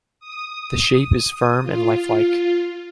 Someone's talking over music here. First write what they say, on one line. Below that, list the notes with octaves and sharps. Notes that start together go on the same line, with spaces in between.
The shape is firm and lifelike.
D#6
F4